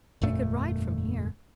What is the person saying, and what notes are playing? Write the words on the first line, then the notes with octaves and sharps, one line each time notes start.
"We could ride from here."
G1 F2 A#2 A3